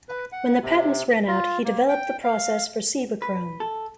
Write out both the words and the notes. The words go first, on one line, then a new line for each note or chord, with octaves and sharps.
When the patents ran out, he developed the process for Cibachrome.
B4
F#5
C3
F4
A#3
G5
F5
B4
A4